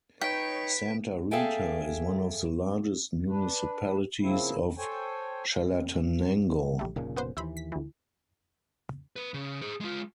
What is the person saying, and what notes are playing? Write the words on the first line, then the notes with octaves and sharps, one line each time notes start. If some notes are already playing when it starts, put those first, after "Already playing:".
Santa Rita is one of the largest municipalities of Chalatenango.
D#4 B4 C#5 G5 B6 D7
G#4 A4 E5 F5 G5 G#5
D4 B4
C#3 F3 A#3 C4 E4
A4 C5 C#5 G5 G#5
A#1 G3 A3
F1 A#2 C#3
B3 B4 C5
D#2 E3 E4 C5 B5
B6
D2 E3
C4 B4
C#3
G#4 C5
G#3 F4